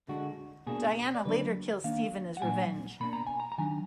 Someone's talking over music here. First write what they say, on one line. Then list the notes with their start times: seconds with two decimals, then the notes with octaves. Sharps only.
Diana later kills Stephen as revenge.
0.08 D3 G#3 D4 F#4
0.67 B2 A#3 D4 G#4
1.15 D5
1.25 D3 F#3 A#3 D4 B4
1.84 D#3 A#3 D4 F5
2.37 F#5
2.42 A#2 F#3 D4 G#5
3.00 B2 A#3 D4 B5
3.13 A#5
3.27 G#5
3.40 A#5
3.52 A#5
3.58 D#3 F#3 D4 G#5